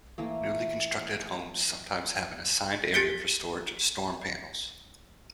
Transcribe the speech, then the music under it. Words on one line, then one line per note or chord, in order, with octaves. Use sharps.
Newly constructed homes sometimes have an assigned area for storage of storm panels.
E3 A3 A#3
G4 A6 B6 C#7 D7 G7